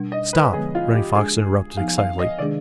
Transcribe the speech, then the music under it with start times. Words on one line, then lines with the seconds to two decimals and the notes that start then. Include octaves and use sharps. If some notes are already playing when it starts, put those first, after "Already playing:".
"Stop!" Running Fox interrupted, excitedly.
Already playing: B2 G3 D4
0.12 D#5
0.33 B4
0.48 B4
0.53 D3 F3 G#3 B3 G#4
0.75 F4
0.95 G4
1.15 G#3 D4 G4 G#4
1.77 F3 B3 D#4 G4 F5
1.98 F5
2.19 D#5
2.38 C3 D#3 G#3 D4 G#4 D5